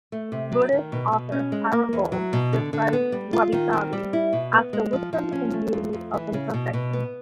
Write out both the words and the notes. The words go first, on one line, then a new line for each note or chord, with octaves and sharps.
Buddhist author Taro Gold describes wabi-sabi as "the wisdom and beauty of imperfection".
A3
C3
F#3
D#3
B2
B2
C#4
G#3
A#3
E2
F#3
B2
D3
D3
B3
G3
F4
D#3
C4
G3
E4
B2
B3
G#3
F3
F3
C#4
A3
F2
F2
E3
C#3
B2
B2
B3